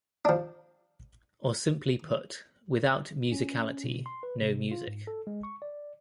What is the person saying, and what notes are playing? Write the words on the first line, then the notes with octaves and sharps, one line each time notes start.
Or simply put: without musicality no music.
F3 D4
C#4
B2
C6
B4
C3
F4
G#2
A4
G#3
C#6
D5